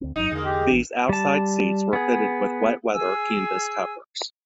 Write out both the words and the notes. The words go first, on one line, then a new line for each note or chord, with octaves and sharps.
These outside seats were fitted with wet-weather canvas covers.
D2 C4
F#1 G2 F#3 D#4
E2 D3 G#3 A#3
G4
A#1 E3 D4
G3 A5
B3 G#4
G#4 G#5 E6